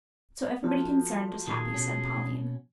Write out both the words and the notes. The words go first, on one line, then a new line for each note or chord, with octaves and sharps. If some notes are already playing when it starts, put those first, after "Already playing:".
"So everybody concerned is happy," said Pauline.
F3 F#4 A4 A5
A#2 D#3 G#4
B2 C#4